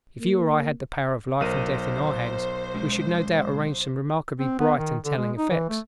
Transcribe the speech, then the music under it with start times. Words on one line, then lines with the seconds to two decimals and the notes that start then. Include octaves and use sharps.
If you or I had the power of life and death in our hands, we should no doubt arrange some remarkably bright and telling effects.
0.20 A#3
1.41 B1 A#4 C5 D#7
2.74 B2 G#3 C#4
4.40 C4
4.59 B3
4.78 D#3
5.05 D3
5.17 G#3
5.37 D#4
5.50 E3
5.69 A3